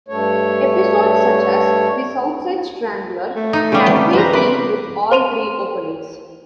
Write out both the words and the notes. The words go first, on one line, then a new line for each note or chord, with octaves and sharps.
Episodes such as "The Southside Strangler" can be seen with all three openings.
G2 A3 C#5
A3
D#4
C#3 G3 C#4 G#4
D3 E3 G5
F2 B4 C5 A#5
A3 A#4 B4 B5 D6
C5 C6 D#7 F7